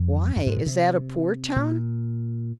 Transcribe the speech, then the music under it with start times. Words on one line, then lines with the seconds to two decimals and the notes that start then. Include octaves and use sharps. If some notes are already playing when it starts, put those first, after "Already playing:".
"Why, is that a poor town?"
Already playing: F2
0.36 F#2
0.46 G#2
0.56 A#2
0.66 C3
1.56 A#2